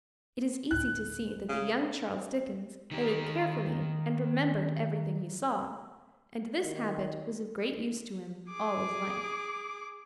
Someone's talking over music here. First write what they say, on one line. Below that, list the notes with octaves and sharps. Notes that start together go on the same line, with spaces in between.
It is easy to see that the young Charles Dickens noted carefully and remembered everything he saw, and this habit was of great use to him all his life.
D2 A2 F#6
A1 C#3
D#3 G4
D#3
G#4 D6